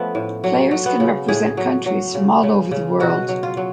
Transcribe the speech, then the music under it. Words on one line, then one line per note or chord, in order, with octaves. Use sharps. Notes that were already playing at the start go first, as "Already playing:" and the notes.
Players can represent countries from all over the world.
Already playing: F3 A3 B3 C#4
A2
F#3
F#3
B3
C#3
A2 G#4
F#3
F#3
C#3
C#3
C#3
B2 F#4
F#3
F4
F#3